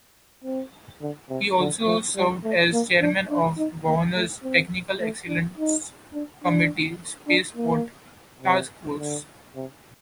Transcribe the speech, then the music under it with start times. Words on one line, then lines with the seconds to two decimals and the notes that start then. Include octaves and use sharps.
He also served as Chairman of the Governor's Technical Excellence Committee Spaceport Task Force.
0.44 C4
1.01 D3
1.30 C3
1.59 D3
1.87 F3
2.15 G3
2.44 A3
2.72 A#3
3.01 D4
3.30 D4
3.58 D#4
3.86 A#3
4.15 A3
4.43 C4
5.01 A3
5.28 D4
5.58 D#4
6.14 D4
6.43 D4
7.28 D4
7.57 A#3
8.42 C3
8.99 D3
9.56 C3